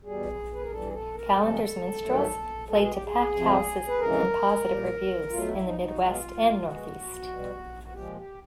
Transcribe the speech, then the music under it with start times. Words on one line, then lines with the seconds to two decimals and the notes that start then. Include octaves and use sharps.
Callender's Minstrels played to packed houses and positive reviews in the Midwest and Northeast.
0.05 E2 B2 G3 G#4
0.54 B4
0.63 A#4
0.70 G2 E3 G3 A4
0.86 G#4
0.92 A4
1.15 A#4
1.36 C3 F3 G#3 A4
2.03 G2 D#3 F#3 A3
2.68 B2 G#3 A4
2.80 G#4
2.92 G4
3.04 G#4
3.34 F2 C3 F3
3.88 B4
4.00 F2 C#3 E3 G#3 A#4
4.66 A#2 G3
5.31 B2 F#3 A3 F4
5.48 E4
5.64 D#4
5.80 D#4
5.89 F#4
5.96 B2 G#3 F4
6.63 B2 G#3 F#4
7.28 B2 G3
7.83 F#4
7.94 A#2 F3 G#3 G4
8.16 G4